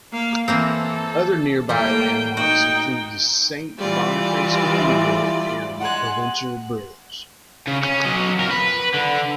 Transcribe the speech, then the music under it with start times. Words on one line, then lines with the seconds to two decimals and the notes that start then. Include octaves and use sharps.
Other nearby landmarks include the Saint Boniface Cathedral and the Provencher Bridge.
0.12 A#3 F5
0.48 E3 A#3 C4 A4
1.69 A2 G3 A#3 G5
2.37 D#4 F#4 G5
3.79 E3 G3 F4 D5
4.78 E4
5.81 G#3 F#5 C6 F#6 G#6
7.67 C#3
7.83 C#4
8.05 F#3 D#5
8.39 F2 A#4
8.50 B4
8.94 D3